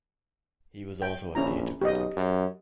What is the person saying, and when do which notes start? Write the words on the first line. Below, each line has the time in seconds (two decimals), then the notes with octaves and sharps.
He was also a theatre critic.
1.02 G5
1.35 A#1 C#4 E4 A#5
1.81 B1 G4 D#5
2.16 F#2